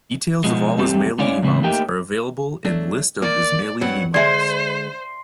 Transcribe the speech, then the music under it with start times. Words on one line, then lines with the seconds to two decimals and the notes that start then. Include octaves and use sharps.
Details of all Ismaili imams are available in List of Ismaili Imams.
0.44 B2 F3 G#3
0.78 E2 G3 A3 C4 G4 A4
1.19 G#3 C#4 E4 C#5 D5 F5
1.42 A2 C#3 G#3 C4 E4
1.63 A3 A#3 D#4 G4 A#4 G5
2.65 F#3 A3 D4
3.22 A#3 D5
3.81 G2 F#3 C4 F#5
4.14 D3 G#3 C5 D5 E5 C6